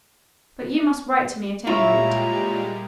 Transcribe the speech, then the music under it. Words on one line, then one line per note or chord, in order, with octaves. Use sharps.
"But you must write to me at any rate."
A#2 G3 G#3 E4 F4 C#5 A#5